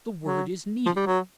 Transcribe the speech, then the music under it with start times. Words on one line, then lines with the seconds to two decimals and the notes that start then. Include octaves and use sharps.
The word is needed.
0.24 F#3
0.86 F3
0.96 G3
1.07 F#3